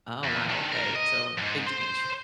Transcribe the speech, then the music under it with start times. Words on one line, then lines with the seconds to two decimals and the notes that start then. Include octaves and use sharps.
Oh, wow, okay, so a big change.
0.23 E2
0.50 D#3 D4
0.72 D2 A#4
0.96 D#5
1.38 F2 G#2
1.66 C5 C6